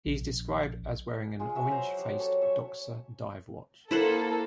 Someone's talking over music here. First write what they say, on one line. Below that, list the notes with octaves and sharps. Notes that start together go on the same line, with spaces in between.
He is described as wearing an orange-faced Doxa dive watch.
A#1
G#3 F4 G#4
F#3 F#4 B4 E5
C5 A#5 B5
F#3 G4
A4 C#5
C#5 E5
A#3 E4 A4 C5 F#5